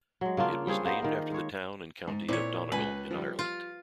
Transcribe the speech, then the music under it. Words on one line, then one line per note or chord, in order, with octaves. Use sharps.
It was named after the town and county of Donegal in Ireland.
F#3 G#3
C#3 A#3 D4 F4
G3 C4 G#4 C#5
A#3 B3 C5 D#5
D#3 A#3
G#3 C#5
G#2
A#2 C4 E4 C#5 D6
C#2 B4 G#5
F3 G3
F4